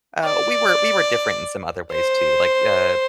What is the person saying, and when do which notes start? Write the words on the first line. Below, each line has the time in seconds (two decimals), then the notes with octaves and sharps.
uh, we were we were different in some other ways too. Like, uh,
0.24 D5
1.91 C5